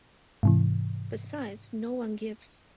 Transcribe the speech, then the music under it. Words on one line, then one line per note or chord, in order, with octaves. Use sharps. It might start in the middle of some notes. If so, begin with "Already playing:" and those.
Besides, no one gives.
G#2 C3 E3